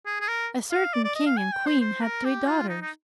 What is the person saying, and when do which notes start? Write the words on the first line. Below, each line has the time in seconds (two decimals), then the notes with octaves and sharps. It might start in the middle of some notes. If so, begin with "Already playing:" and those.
A certain king and queen had three daughters.
0.06 G#4
0.21 G#4
0.28 A#4
0.71 F5
0.94 D5
1.05 D5
1.15 D#5
1.26 F5
1.37 G#5
1.52 G5
1.66 C5
1.81 C5
2.03 A#4
2.25 G4
2.47 F4
2.69 D#4
2.82 D#4